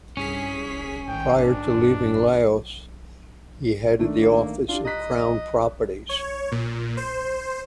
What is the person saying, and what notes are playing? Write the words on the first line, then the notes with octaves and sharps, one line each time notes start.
Prior to leaving Laos he headed the Office of Crown Properties.
C2 G2 C#4 G#4 B6
D#1
A1 G#2 D#3 G5
D4
G2
D#3 A3 D4
A#3
D4 E4 F4 G4
D#5 A#5 F#6 B6
C#5
A#2
C5